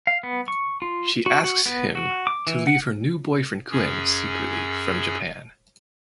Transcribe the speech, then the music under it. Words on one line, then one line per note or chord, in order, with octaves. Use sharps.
She asks him to leave her new boyfriend Kuen secretly from Japan.
F5
B3
C#6
F4
F#4
F#4
B3
F#4
D6
E3
F#5
F#2 C#4 G#4 E6